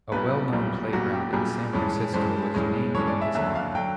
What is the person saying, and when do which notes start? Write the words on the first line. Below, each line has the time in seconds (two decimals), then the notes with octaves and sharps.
A well-known playground in San Francisco was named in his honor.
0.12 B1 A#2 G3 B4
0.52 B1 A#2 G3
0.93 B1 A#2 G3 F#4
1.13 G4
1.33 B1 A#2 G3 G#4
1.73 G2 E3 G#3 C#4
2.13 G2 E3 G#3 C#4 C5
2.54 G2 E3 G#3 C#4
2.94 G2 E3 G#3 C#4 C#5
3.08 D5
3.21 E5
3.35 D#2 D3 F#3 E5
3.55 F5
3.75 D3 F#3 G5